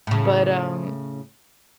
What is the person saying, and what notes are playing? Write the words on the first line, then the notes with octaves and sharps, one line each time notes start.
But, um
A2 C#3